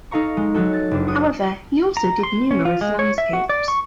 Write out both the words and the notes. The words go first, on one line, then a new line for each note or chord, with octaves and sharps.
However he also did numerous landscapes.
D#4 A4 F5 A#5 C#6
G#3
F#3 D#4 F#4 A4
A6
F#1 D4
F#4 D#6
A#5
C6
C#4
F4
G#3
C#5
E5
F#4
D5
C#6